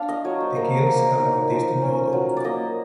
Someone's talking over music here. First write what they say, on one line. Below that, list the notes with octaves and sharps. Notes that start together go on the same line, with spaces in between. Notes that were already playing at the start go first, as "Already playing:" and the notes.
The gills have no distinct odour.
Already playing: D4 F5
D#5
F#3 C#5
C5
A#3 A#4
A#3
D#4 A#4
F3
C#4
F#3
D5
A#3 D#5